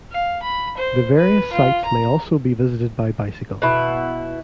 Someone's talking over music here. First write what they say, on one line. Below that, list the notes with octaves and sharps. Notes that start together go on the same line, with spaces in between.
The various sights may also be visited by bicycle.
F5
B5
C5
B4
F4
A#5
B2 E4